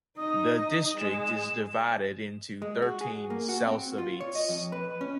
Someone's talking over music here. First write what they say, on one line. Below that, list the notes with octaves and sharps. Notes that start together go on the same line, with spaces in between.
The district is divided into thirteen selsoviets.
D#4 D#5 D#6
G#3 E7
G#3
F#4
G#4
A#3
F#4
C4
F4
C#5
D#5
F2
B4
C#4